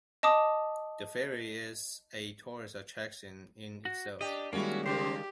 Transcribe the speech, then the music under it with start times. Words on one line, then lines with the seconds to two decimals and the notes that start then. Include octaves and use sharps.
The ferry is a tourist attraction in itself.
0.23 D#5 A5 D6 D#6
3.85 F#4
4.21 D4 G4 D#5
4.53 D#3 G3 G#3 A#3 C#4 E4 F#4
4.86 C#3 F3 A#3 G4 C5